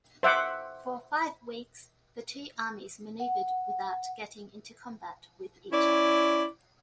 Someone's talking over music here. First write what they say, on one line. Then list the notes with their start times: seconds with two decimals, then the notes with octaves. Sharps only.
For five weeks the two armies manoeuvred without getting into combat with each other.
0.23 C5 E5 F#5 D6
3.20 F#5
5.72 C#4 E4 D5